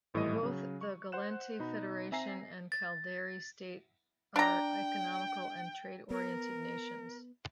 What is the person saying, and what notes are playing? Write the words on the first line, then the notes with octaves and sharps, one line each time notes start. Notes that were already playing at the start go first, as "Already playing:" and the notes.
Both the Gallente Federation and Caldari State are economical and trade oriented nations.
G#1 A2 E3 G3 D#5 D#7
C#3 F#3
C#6
C5 F#5 F#6 E7
B2 D#4 B5
C4 E5 G#5 A#5 A#6 C7
A6
D4 G5 A#5
B3 A#4